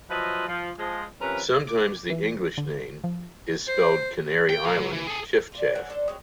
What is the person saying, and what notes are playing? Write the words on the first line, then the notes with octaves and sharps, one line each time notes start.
Sometimes the English name is spelled Canary Island chiffchaff.
F3 F#3 F4 B4 D#5 E5
F3
F3 G#3
C3 F3 C#4 A#4 B4
D6
E3
D3
F3
C5
G5
F4 A#4
F#3
E3
G#4 A4
F4 D5
F#3 F#4 G#5
D4 A4 C5
F#3 G#3 C4